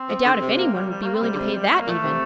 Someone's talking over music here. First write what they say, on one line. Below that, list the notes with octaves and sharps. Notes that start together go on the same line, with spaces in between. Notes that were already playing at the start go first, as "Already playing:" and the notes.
I doubt if any one would be willing to pay that, even.
Already playing: C4
F3
D3
C3
A#3
G3
G3
A3
A#3
C4
C3 G3
D3
C3
G3
A3
A#3
A#2
A3
C3